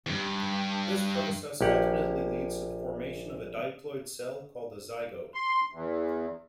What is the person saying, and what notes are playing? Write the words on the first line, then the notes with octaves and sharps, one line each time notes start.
This process ultimately leads to the formation of a diploid cell called a zygote.
E2 G2
A#1 A#3 G4 F#5
C6
E2